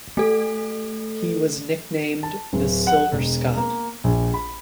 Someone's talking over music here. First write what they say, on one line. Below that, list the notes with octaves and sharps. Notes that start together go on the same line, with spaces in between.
He was nicknamed The Silver Scot.
A3 A4
A5
D1
F#5
E1
A#3
A#1
B5